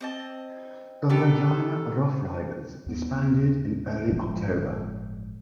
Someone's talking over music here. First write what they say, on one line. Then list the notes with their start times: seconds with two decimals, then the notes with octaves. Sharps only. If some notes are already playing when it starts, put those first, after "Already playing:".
The Regina Roughriders disbanded in early October.
0.01 C4 D#5 A5
1.10 B3 D#4 G4 A4
2.86 D#2 B3
4.12 G1 A2 F3 G#3